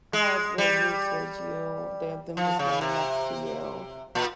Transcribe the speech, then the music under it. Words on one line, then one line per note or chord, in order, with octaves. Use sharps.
how they move towards you, their them just laying next to you,
G#3
G3
F3
C#3
C3
A#2